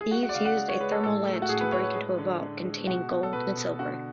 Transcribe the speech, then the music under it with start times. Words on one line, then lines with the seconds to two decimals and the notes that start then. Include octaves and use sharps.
Thieves used a thermal lance to break into a vault containing gold and silver.
0.01 G#4
0.11 G#3 F#4
0.23 F#4
0.29 D5
0.34 C#3 F5
0.45 F#5
0.57 G#3
0.69 C#5
0.80 G#3 B4
0.92 A4
1.04 A2 A4
1.26 A3
1.42 F#4
1.49 A2 G#4
1.61 B4
1.72 A3 C#5
1.83 B4
1.96 G#3
2.18 D3
2.42 D3
2.64 G#3
2.87 B2 F#4
3.10 B2
3.23 A4
3.33 B2 B4
3.56 B2
3.79 D3 F#4